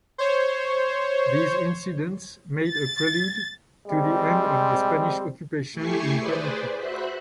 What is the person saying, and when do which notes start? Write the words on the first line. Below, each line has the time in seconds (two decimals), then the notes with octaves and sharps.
These incidents made a prelude to the end of the Spanish occupation in Paniqui.
0.18 C5 C#5
2.69 A6
3.88 G3 G#3 C4
5.72 A3 E4 G4 G#5 C#6 C7
6.15 G#4 B4 C5 D5
6.76 F#4 C5 E5 B5 F#6